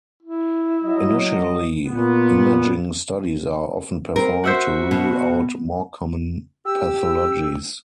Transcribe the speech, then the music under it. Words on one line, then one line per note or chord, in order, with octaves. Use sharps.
Initially, imaging studies are often performed to rule out more common pathologies.
E4
F#3 D#5
A#2 B3
C4 A#4
F#4 C5 E5 F#5
B2
G4 E6